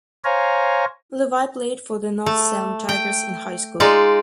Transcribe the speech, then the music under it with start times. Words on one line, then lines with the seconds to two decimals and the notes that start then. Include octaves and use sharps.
Levy played for the North Salem Tigers in high school.
0.25 C5 C#5 F5 G#5 A#5
2.26 A3
2.89 G5
3.80 G#3 D#4 F4 D5